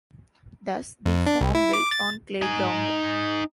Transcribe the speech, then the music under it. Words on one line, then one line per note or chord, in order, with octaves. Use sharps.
Thus: "the farm built on clay ground".
F2
D4
C2
E4
D6
A6
D#4 G#5